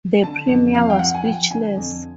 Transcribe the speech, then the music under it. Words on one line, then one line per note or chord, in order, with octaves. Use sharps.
The Premier was speechless.
D3 A5
F2
F3 F5
G5
F3 F#5
G#5
F3 G5
D3 G#5
F2